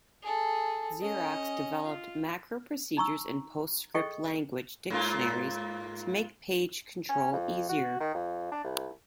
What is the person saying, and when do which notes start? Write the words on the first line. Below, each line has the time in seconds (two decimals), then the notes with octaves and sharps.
Xerox developed macro procedures in PostScript language dictionaries to make page control easier.
0.23 G#4 A4
1.02 C#4 D#5
1.86 F4
2.97 D#4 A#5 C#6 E6
3.94 G#4 A4 D#5 G5 C#6
4.90 G#2 A#3 F4
7.09 C#4
7.32 F2
7.69 F#4
8.00 D#3
8.15 F2
8.52 D4
8.64 C2